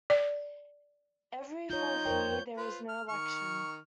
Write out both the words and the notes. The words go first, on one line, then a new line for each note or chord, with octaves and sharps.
Every fourth year there is no election.
D5
D#4 F4 C#5 G6
F2 A#4 C5 C#5 G5
F4 B4 C5
F6
D#3 C#6 F6